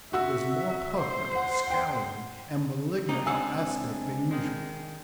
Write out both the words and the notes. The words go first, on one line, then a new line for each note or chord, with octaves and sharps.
It was more puckered, scowling and malignant of aspect than usual.
F#4 E5 F#5 E6
C5
F#5
F#5 G5
C#3 A#3 C4 D4 D#4
C#2 F5 F#5 G#5 E6
D#3 G#3